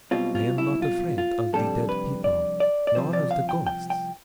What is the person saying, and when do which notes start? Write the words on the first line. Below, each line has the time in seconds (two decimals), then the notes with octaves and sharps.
I am not afraid of the dead people, nor of the ghosts.
0.11 B1 B2 G3 C4 F4
0.35 F4
0.58 E4
0.82 F4
1.18 F4
1.53 F2 C3 G3 D4 A4
1.89 B4
2.24 D5
2.60 D5
2.87 D5
2.95 C2 C3 F3 C4 C5
3.13 D5
3.31 F5
3.49 G5
3.67 G5
3.90 G5